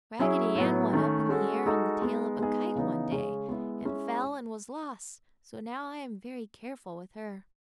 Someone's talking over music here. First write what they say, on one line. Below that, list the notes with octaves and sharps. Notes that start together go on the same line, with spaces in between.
"Raggedy Ann went up in the air on the tail of a kite one day and fell and was lost, so now I am very careful with her!"
F#3 C#4 E4 G#4
A2 F#3 B3
D#3 A3 C#4
G#3 C#4 F#4 A4
G#3 D#4 F#4 A4
G#3 B3 D#4
G#3 B3 D#4 G#4
C#3 E3 B3 D#4
C#3 G#3 C#4 G#4
G#3 B3 E4
G#3 C#4 E4